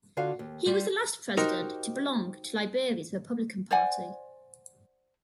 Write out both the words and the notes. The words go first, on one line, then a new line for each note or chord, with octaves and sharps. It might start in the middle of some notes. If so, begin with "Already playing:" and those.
He was the last President to belong to Liberia's Republican Party.
D3 F4 F#4 F5
D#2
G3 F4 G4
D#4 F#4 G4 A#4 C5
C5 D5 F#5 G#5